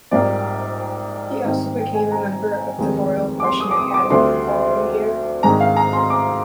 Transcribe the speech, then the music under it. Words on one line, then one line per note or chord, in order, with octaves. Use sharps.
He also became a member of the Royal Prussian Academy the following year.
A#1 G#2 G3 A#3 D5
G#2 D#3 G3 C4 D#4 D#5
G5
G#5
A#5
F1 D#2 D#3 G#3
D6
C6
D#6
D6
D#6
D6
D2 D3 G3 D4 C6
G#2 D#3 G#3 D4 A#5
F5
A#5
C6
D6